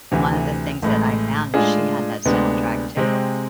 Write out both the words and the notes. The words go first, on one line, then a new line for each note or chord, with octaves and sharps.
one of the things that I found is she had that soundtrack too,
D2 C3 E3
A1 A2 G#3
A2 G#3 D4 F4 G#4
D2 C3 G#3 B3 D4
C3 G#3 C4